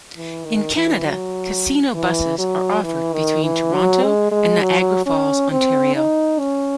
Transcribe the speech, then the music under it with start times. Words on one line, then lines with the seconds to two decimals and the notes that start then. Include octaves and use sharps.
In Canada, 'Casino Buses' are offered between Toronto and Niagara Falls, Ontario.
0.17 E3
0.45 D#3
0.76 E3
1.05 F#3
1.94 E3
2.38 F#3
2.83 E3
3.13 D#3
3.43 E3
3.73 F#3
4.03 G#3
4.31 G#3
4.61 F#3
5.06 C#4
5.51 C4
5.96 D#4
6.39 C#4